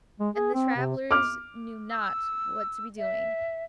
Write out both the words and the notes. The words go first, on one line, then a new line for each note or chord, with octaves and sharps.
And the travellers knew not what to be doing.
G#3
G#4
C4
C3
D6 F6
E6
E5